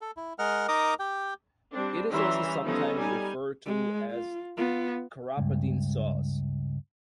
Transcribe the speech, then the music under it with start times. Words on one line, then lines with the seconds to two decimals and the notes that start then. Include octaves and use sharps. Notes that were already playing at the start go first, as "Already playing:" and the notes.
It is also sometimes referred to as "crapaudine sauce".
0.01 A4
0.17 E4
0.39 G#3 A#4 D#5 F#5 F6
0.68 D#4 A#4 D#5 A#5 D6 D#6
0.99 G4 G5
1.73 G3 C4 D4
2.09 E3 G3 C#4 E5 A#5 C6
2.63 F3 B3 C#4 D#4 A4 D#5
2.94 G3 D#4 G#5
3.66 G#3
4.10 F4
4.57 B3 F4
5.37 C#2 G2